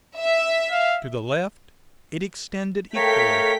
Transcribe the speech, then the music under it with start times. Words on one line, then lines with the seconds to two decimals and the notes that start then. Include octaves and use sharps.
To the left, it extended equally.
0.19 E5
0.71 F5
2.95 A3 A#4 C#5 F5 G5 B6